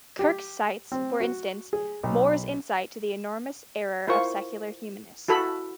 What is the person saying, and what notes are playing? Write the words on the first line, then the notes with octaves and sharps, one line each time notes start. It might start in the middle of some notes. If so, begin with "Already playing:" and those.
Kirk cites, for instance, More's insight into the "enormous error" of secular humanists.
G4
C4
F#4
G#4
B1
E4 F4 A#4 C5 C#6
E4 F#4 A4 B5